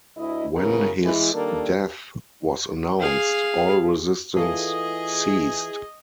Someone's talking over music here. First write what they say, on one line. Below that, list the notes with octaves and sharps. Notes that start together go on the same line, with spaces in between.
When his death was announced, all resistance ceased.
D2 E4 D#5
C#3 E3 F#3 B3 A#4
E3 G#3 E4
D#3 G3 A#3 D4 A4 A#4
G#4 F5
E3 F4 G#4 A4 D#5